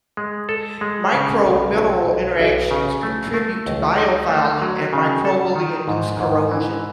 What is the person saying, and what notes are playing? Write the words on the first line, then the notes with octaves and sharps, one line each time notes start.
Microbe-mineral interactions contribute to biofouling and microbially induced corrosion.
G#3
A4
G#3
C#3
B1
B1
B1
B1
C#3
A3
A3
C#2
D#4
A3
F#3
C#3
A4
D#3
G#2
G#2
E3